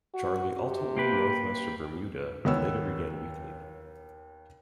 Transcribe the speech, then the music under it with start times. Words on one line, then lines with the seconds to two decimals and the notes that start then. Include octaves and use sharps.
Charlie ultimately northwest of Bermuda, and later began weakening.
0.14 F#4
0.59 C3
0.97 A#3 G4 B4
2.45 D#2 B3 C#5 E6